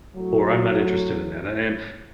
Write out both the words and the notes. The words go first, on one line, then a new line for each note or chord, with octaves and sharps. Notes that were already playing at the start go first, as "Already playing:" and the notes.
or I'm not interested in that, a and
A2 F#3